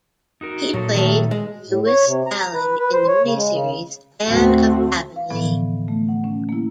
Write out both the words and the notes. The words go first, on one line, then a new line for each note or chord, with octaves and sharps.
He played Lewis Allen in the miniseries "Anne of Avonlea".
D#4 F#4 A#4
A#2 F#3 D#4 A4
D#3 F#3 A3
G#3
A2
C#5
C3
A#5
A#5
B4
B4
C5
C#5
C#3
G#3
C#3
D2 A3 C4 F#4
F5
A2 D3 E3 F3 B3
A3
F#5
C#4
A#3 E4